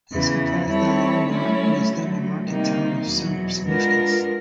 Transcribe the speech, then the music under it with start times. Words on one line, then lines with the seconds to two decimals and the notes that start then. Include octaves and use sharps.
This implies that Longnor was then a market town of some significance.
0.10 E2 C#3 E3
0.70 G3 C4 E4 A4 C#5
1.28 D3 F#3 A3 C#4 E4
1.87 D3 F#3 A3
2.47 C3 D#3 G3 A#3 D#4
3.06 E2 B2 F#3
3.66 G#3 B3 D4 F4 A#4